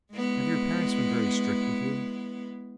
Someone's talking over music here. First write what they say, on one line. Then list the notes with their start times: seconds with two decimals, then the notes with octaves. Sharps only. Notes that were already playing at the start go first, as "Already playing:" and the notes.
"Have your parents been very strict with you?"
0.13 G#3 B3 E4